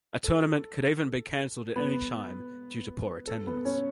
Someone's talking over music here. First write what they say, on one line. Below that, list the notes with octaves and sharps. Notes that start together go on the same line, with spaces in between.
A tournament could even be canceled at any time due to poor attendance.
A4
B3 B4
A4
B3 B4
C#4 C#5